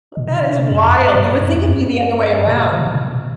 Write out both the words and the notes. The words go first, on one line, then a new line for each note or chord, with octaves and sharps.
that is wild, you would think it'd be the other way around.
A#2
C3
D3
C3
F2
G2
G2
F2
G2
A#2
A#2
C3
A#2
C3
A#2
C3
A#2